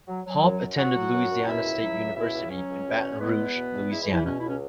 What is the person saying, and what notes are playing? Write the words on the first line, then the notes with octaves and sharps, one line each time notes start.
Hawpe attended Louisiana State University in Baton Rouge, Louisiana.
F#3
F#3
F#2
F#2
F#3 F#4 F#5
F#3
F#2
F#2
B2 E4 E5
C#2
F#3
C#2
B2 E4 E5
C#2
F#3 C#4 C#5
C#2
B2
E2
G#3 B3 B4
E2
B2
E2
G#3 E4 E5
E3 E4
E2
E3 E4
B2 C#4
C#2 E4
C#4